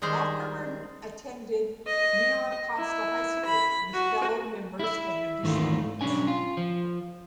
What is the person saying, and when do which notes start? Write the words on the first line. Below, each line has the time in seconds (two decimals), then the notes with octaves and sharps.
Aukerman attended Mira Costa High School, with fellow members of the Descendents.
0.02 D#3 G3 G#3 C5
1.87 D#5
2.77 E4
3.45 B5
3.93 F#4
4.79 E4 E5
5.43 D#2 G#2 D#3 E3 A3 F4
6.01 B1 F#2 G3 C#4 D4 G#5
6.27 F4
6.57 F3